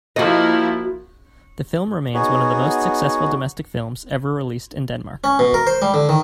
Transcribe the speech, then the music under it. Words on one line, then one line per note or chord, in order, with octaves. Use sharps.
The film remains one of the most successful domestic films ever released in Denmark.
F3 A#3 E4 F#4 D#5
B3 D#4 F#4 G#4 C#5
C#4
B2
A#4
C5
G3
D3
D#3